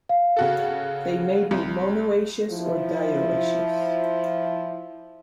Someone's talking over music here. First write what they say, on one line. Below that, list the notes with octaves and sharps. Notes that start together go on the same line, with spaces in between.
They may be monoecious or dioecious.
F5
C#3 F#4 A4
C2
F3 E4